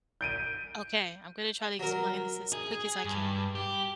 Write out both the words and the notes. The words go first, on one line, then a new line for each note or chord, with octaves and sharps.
Okay, I'm gonna try to explain this as quick as I can.
G6 D7 D#7
F#3 A#4
G#4
G2
G4